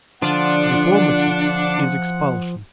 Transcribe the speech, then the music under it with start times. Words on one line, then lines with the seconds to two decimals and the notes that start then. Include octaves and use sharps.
Deformity is expulsion.
0.22 D3 F3 D4 F4 F#5